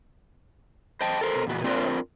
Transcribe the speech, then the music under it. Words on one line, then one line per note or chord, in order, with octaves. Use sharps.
and, um,
C5 D#5 G5 A5
A4 A#4 C5
E2 A#2 F#4
C4 D4 F4 A#4 C5